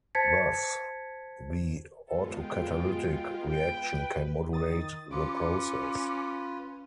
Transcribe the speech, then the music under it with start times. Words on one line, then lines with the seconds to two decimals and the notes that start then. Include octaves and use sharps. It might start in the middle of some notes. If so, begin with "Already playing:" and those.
Thus, the autocatalytic reaction can modulate the process.
0.15 C5 A5 G#6 A6 B6 C#7
2.08 G#3 B3 F4 A4
2.40 G5
3.47 B4 G5
4.52 D#3 D#6 A6
5.11 C#4 F4 B4 D6 C#7